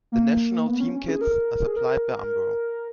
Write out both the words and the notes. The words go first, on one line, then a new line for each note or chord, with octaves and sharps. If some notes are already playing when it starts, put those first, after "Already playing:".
The national team kits are supplied by Umbro.
A#3
B3
C#4
C#4
G#4
A#4
G#4
A#4